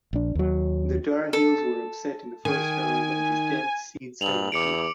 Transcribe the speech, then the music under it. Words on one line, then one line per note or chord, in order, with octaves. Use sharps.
The Tar Heels were upset in the first round by the tenth seed Syracuse.
A#1 D4
D#2 F#3
A4
D#3 G#5
G2 F7 F#7
E2 D6 C#7 D7